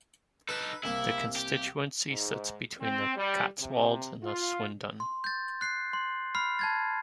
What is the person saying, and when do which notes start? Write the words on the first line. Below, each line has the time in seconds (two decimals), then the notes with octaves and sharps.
The constituency sits between the Cotswolds and Swindon.
0.49 D#4 A4 B4
0.84 C2 A#3 E4
1.36 G4
2.09 G#2
2.81 C4
3.16 G3
3.59 C3
4.23 F4
5.00 C6
5.24 G6 A6
5.61 F#6 C7
5.93 C6
6.35 B5 F6 C7
6.59 A5 G#6 A6